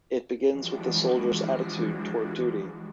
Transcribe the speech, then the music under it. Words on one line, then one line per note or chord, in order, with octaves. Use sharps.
It begins with the soldier's attitude toward duty.
E3 F3 G3 G#3 D4 F#4